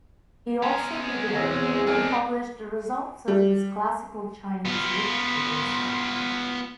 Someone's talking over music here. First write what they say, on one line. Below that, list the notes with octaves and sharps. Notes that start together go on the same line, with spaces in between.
He also began to publish the results of his classical Chinese literature research.
G#3 B3 C#4 A5 A#5
E2 C4 G#4 C#5 D#5
D4 D#4 A#4 G#5
G3
B3 F4